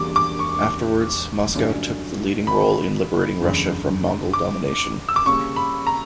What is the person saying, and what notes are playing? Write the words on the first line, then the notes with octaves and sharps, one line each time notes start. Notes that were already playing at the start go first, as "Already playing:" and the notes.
Afterwards, Moscow took the leading role in liberating Russia from Mongol domination.
Already playing: E1 E2 D3 G3 A#3 D6
D6
C#6
G1 G2 F#3 C#4
B5
F#1 E2 D3
D6
E6
D6
C#3 G3 A#3 C#4 C#6
B5
A#5